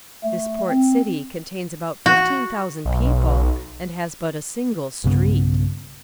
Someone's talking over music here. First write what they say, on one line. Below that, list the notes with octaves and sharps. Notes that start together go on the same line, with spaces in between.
This port city contains about fifteen thousand people and has but a single street.
A3
C4
F#4
B1
B1 G2 C#3 B3